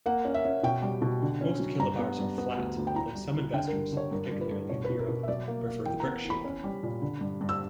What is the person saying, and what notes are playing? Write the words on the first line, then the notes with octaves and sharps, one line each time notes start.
Most kilobars are flat, although some investors, particularly in Europe, prefer the brick shape.
A#3 F#5
C#4
E5
C#4
B2 G5
G3
B2
D3
C#4
F#3
G2 A#5
B3
G2
B3
D2
D2
G5
E4 A#5
G3
E4
D3 G5
G2 A#4
D3 C#5
G2 A#4
G2
B4
G2
B2 C#5
B4
B2
A#4
B2
E5
F#3 D5
A#3
A#3
E3 G5
B3 A#5
E3
B5
C#4
G3
A#2
D3
G2
G2
E6